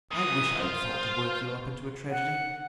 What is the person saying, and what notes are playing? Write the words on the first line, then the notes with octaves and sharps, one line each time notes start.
"I wish I had thought to work you up into a tragedy."
A#2 E3 D#6
F4 C5
F#5